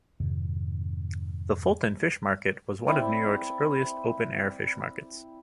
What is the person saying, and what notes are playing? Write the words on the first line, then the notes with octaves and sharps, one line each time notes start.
The Fulton Fish Market was one of New York's earliest open-air fish markets.
F2 G#2 C3 D#3
C4 E4 D5